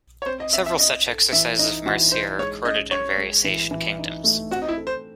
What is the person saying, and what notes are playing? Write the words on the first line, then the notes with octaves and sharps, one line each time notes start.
Several such exercises of mercy are recorded in various Asian kingdoms.
C#5
C4 C5
D#5
C4 E5
E5
E4 D#5
A4
E3 E5
D#4 D#5
E3 F#4
D#4 C5
G#3 C#5
C#4 D#5
C#4 C#5
G#3
E3
E3
D#4
A3
C4 F#4
D#4
E4
A4
C5